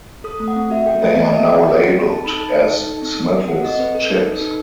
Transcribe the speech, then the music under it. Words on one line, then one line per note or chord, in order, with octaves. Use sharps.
They are now labelled as Smith's Chips.
A4 D#6
A3
F#5
C4
F#4 E5
A4 G5
A3
C4 D#5
C4 E5
F#4 F#5
A4 G5
C4
C4
A4 A5
D#4 B5
A4 A5
D#4
A4
D#4
C4
C4
F#4
A4 F#5
C4 D#5
C4 B4
A4
D#4
A4
D#4